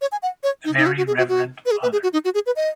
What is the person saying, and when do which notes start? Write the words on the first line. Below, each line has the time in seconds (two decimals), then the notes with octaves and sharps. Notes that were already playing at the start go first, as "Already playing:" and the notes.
The Very Reverend Fr.
0.02 C#5
0.12 G#5
0.23 F#5
0.43 C#5
0.65 D#4
0.77 D#4
0.86 F#4
0.97 F#4
1.07 G#4
1.18 F#4
1.29 F#4
1.66 B4
1.71 G#4
1.82 B4
1.92 G#4
2.03 F#4
2.13 D#4
2.25 F#4
2.34 G#4
2.46 B4
2.56 D#5